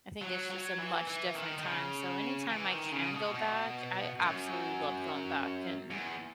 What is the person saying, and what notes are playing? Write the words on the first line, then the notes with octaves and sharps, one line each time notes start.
I think it's just a much different time. So anytime I can go back, I absolutely love going back and
F#3
F#3
E3
E3
D#3
D#3
C#3
E3
D#3
C#3
B2
B2
F#2
E2